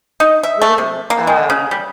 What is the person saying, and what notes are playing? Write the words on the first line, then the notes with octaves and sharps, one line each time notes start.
really l um,
D#4
E5
A3
C3
A#3
G#3
C#3
G3